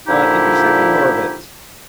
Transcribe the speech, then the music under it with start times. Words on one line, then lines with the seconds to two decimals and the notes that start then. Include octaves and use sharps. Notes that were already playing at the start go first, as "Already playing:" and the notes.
On intersecting orbit.
0.08 A#2 D3 F3 D#4 E4 G4